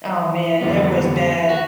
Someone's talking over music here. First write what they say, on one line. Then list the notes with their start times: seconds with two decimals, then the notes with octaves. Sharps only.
Oh, man, it was bad.
0.61 F2 D3 G3 B3
1.49 F#4